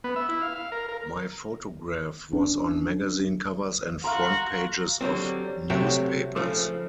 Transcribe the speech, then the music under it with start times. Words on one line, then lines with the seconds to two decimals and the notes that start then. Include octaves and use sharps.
My photograph was on magazine covers and front pages of newspapers.
0.04 B3
0.16 E5
0.29 E4
0.42 F5
0.56 F5
0.72 A#4
0.88 A#4
2.33 C#4 D4
4.04 F#4 F5 A#5 C6
5.01 D3 F#3 G3 C4
5.70 C3 F#3 A3 F#4 E5 G5
6.36 C#3 F3 A3